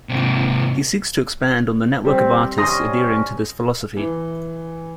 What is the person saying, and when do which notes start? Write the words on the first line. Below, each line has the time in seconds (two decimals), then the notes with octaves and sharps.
He seeks to expand on the network of artists adhering to this philosophy.
0.09 G#2 C3
2.05 G3 C4
2.58 C3 G3 C#4 C6 D#6 A#6
3.97 E3